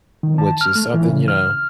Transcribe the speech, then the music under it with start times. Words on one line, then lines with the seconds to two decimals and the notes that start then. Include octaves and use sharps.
which is something, you know,
0.23 D#3
0.38 A5
0.61 F6
0.75 A3
0.94 E3
1.08 C#3
1.28 F6